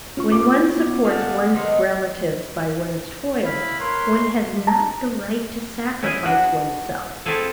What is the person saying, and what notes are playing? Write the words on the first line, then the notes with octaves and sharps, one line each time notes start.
When one supports one's relatives by one's toil, one has not the right to sacrifice one's self.
C#4 F4 C#6
D6
B3
G#3 A3 F5 F#5 G#5 G6
D#3 D4 D#4 B4 C5
E4 F5 B5
A#4 B4 C#5 C6
A5 A#5
C#4 E4 G#4 D#5
B3 D4 F#4
A3 C4 E4 F4 G#4 A4